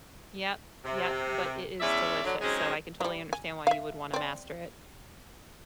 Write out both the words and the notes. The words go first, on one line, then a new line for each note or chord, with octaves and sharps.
Yep, yep, but it is delicious, so I can totally understand why you would wanna master it.
C3
E2 G#3 C#4 D5 E5
D3 F#3
F#3 G#3 C4 C#4 D#4 G#4
E3 G3
G#5
E5 F5
C4 D5